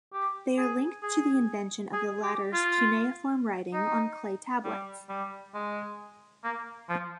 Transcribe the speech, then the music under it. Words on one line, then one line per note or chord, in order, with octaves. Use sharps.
They are linked to the invention of the latter's cuneiform writing on clay tablets.
G4
G#4
G#4
G#4
G4
F4
D#4
G3
G3
G#3
A#3
F3